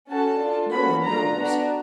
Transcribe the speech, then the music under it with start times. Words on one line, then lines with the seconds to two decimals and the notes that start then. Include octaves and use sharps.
No one knows.
0.08 C#4 F#4 A4 A5
0.40 D4 F4 A4
0.72 A#3 C#4 F#4 A4 B5
1.04 D4 F4 A4 A#5
1.36 B3 D4 F#4